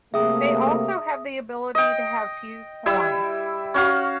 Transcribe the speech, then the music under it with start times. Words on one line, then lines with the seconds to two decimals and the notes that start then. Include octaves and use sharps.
They also have the ability to have fused horns.
0.14 C3 A3 A#3 G#4 E5 G5 A#5 D#6
1.75 D#5 G5
2.86 G3 E4 E6
3.74 C#4 F#4 F5